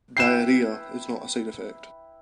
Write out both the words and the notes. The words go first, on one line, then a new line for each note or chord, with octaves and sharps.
Diarrhea is not a side effect.
E4 B4 G5 C7 E7